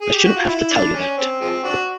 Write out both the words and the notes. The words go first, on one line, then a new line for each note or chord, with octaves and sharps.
I shouldn't have to tell you that.
G#4
G4
F#4
F4
E4
D4
C#4
C4
F3 G#3 C4
D4 F#4